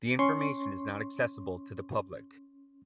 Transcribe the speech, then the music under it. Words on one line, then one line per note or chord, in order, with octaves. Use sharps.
The information is not accessible to the public.
C#4 C6 C#6